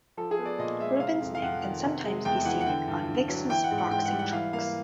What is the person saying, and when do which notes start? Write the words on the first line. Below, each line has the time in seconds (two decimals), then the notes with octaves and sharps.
Ruben's name can sometimes be seen on Vic's boxing trunks.
0.17 F3 A4
0.31 G#4
0.39 B3
0.45 D5
0.59 A#2 D#5
0.79 G#3 E5
1.00 C3 F5
1.21 F2
1.35 F5
1.42 F2 F#5
1.63 D#3
1.84 C3
2.04 G#3
2.25 E2 G5
2.45 E3 F#5
2.61 F#5
2.66 D3 G5
2.88 G2
3.08 G2
3.29 F#3
3.49 E3 G5
3.64 F#5
3.71 G#2
3.78 F#5
3.91 G#2 G5
4.05 F#5
4.12 G3
4.19 F#5
4.32 E3 F5
4.53 A#3 F5